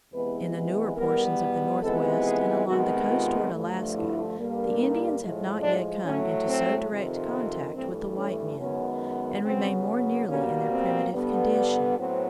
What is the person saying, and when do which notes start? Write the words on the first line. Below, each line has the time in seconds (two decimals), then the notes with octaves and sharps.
In the newer portions of the Northwest and along the coast toward Alaska the Indians have not yet come into so direct contact with the white men, and remain more nearly in their primitive condition.
0.13 E2 C3 E3 G#3 B3 B4
0.97 E2 B2 G3 B3 A#4
1.82 F2 C3 E3 G#3 B3 A4
2.24 G#4
2.67 C3 D#3 G#3 B3 F#4
3.09 F4
3.52 G2 D3 F3 A3
3.94 E4
4.36 G2 D3 G3 A#3
4.78 D#4
5.20 A2 F3 G#3
5.62 D4
6.05 A2 F#3 A3 C#4
6.48 C4
6.89 F2 C3 D#3
7.32 C4
7.74 G2 E3 A3 C4
8.16 C#4
8.59 F#2 D#3 G#3 B3 C#4
9.43 C#3 F#3 B3 C4
10.28 B2 G3 A#3 C#4
10.71 C4
11.13 G2 D3 G3 B3
11.97 A2 F#3 B3 C4